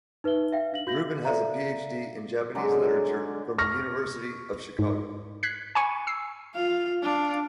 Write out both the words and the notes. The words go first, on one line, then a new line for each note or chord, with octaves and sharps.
Rubin has a Ph.D. in Japanese literature from the University of Chicago.
D#4 B4 E5 G7
E5 F5 G5
D4 F5 F#7
F#4 G6 A#6 F#7
A4 D5 E5 F5 A#5
D3 F#3 G#3
C#6 F6 A#6
G#2
F#6 G#6 B6 C7
G#5 A5 B5 C#6 C#7 D#7
E6 C7
F4 F5
D4 F5